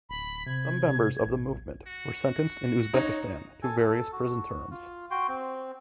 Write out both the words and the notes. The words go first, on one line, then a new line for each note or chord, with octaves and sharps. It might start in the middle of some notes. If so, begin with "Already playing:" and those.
Some members of the movement were sentenced in Uzbekistan to various prison terms.
D1 B5
C3 G#6
A1
F#4
D#4 C#5
A4 G#5
A4
F#4
F4
F#4 G5 C6
C4